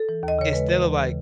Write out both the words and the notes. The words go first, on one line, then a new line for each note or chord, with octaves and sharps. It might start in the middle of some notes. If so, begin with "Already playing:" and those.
instead of, like,
Already playing: A4
E3
D#2
D#5
C#3 C#5
G#3 B4
E3
D#2
C#3